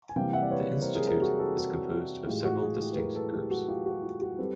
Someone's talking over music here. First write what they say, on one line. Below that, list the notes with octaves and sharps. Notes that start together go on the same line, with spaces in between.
The Institute is composed of several distinct groups.
G#5
C3 E3 G3 A#3 F5 G5
E5 F#5
D5
B4 C#5
A#4 C5
G#4 A#4
G#4 A#4
F#4 G#4
G4 A4
F#4 G#4
A2 E3 G#3 F4 G4
F#4
F#4 G#4
G4 A4
B4
G#4 A#4
A4 B4
G4 A4
F#4 G#4
F4 G4
F#4
F4
F#4
G3 C4 A4 B4